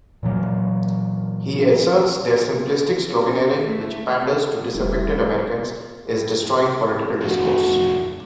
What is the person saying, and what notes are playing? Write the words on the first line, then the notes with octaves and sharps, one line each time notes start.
He asserts their simplistic sloganeering which panders to disaffected Americans is destroying political discourse.
A#2 E3 F#3 A#3
C#4
A3
E1 G3 A3 E4
F2 A2 F#4